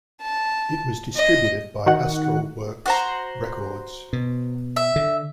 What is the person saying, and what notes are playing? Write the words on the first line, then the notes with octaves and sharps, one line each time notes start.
It was distributed by Astralwerks Records.
A5
D#5
D#3 F#4 F#5
F#4 C5 A#5
B2
E5
D3